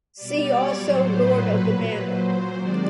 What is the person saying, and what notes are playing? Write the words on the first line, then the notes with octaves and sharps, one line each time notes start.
See also Lord of the Manor.
B2 G3 D5
C#5
A2 F#3 C5
B4
A#2 F#3
A#2 F#3 C5
C3 D#3 G#3 D5